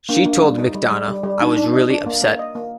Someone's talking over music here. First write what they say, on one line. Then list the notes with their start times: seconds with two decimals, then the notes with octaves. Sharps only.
She told McDonough, I was really upset.
0.09 A#3 D4
0.26 A#3
0.42 G3
0.58 D#4
0.75 G3
0.91 G3
1.08 G3
1.23 G3
1.40 D4 D#4
1.56 D4
1.73 D#5
1.90 D4
2.06 A#3
2.22 A#3
2.39 D#5
2.55 A#3